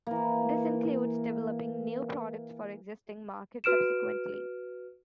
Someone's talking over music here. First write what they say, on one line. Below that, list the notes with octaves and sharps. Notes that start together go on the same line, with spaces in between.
This includes developing new products for existing markets, subsequently.
E3 A#3
F#4 B4 F6 D7 E7